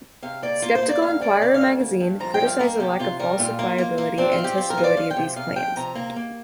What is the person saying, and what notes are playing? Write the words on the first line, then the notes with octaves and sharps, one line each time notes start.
"Skeptical Inquirer" magazine criticized the lack of falsifiability and testability of these claims.
C3 F5
A#3 D5
A#3 F4
C5
A#3
D5
D2 F5
D2 D5
C3 D5
F5
D2
A#3
G2
F3 A#5
G5
G2
F5
A#3 A#4
C3 G4
C3 F4
G3 A#4
A#2 F4
A#3
A#3
A#3
C4 D4
F4
C4
G4
F3 G4
A#4
F3
D5
F3 F5
G5
C3
C3 F5
F3 G5
C3 A#5
A#3 A#5
A#3